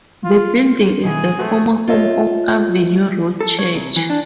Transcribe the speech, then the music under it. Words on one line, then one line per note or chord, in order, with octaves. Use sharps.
The building is the former home of Avenue Road Church.
F4
B2 D#3 E3 G#4
A3 F#4 B4 C5
F4 C#5 D#5 E5
A4
C#5
C2
E3
D4